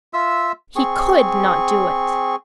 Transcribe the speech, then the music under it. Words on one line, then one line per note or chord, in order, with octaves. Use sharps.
He COULD not do it!
F4 E5 E6
C4 G#4 C#6